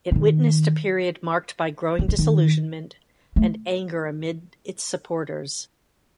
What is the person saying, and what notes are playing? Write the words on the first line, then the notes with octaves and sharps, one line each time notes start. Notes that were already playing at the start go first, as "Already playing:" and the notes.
It witnessed a period marked by growing disillusionment and anger amid its supporters.
D3
D#3
D#3
D3
D#3
A3